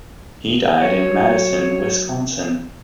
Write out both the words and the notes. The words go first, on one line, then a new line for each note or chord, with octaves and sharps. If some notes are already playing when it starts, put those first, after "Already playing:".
He died in Madison, Wisconsin.
F#3 C#5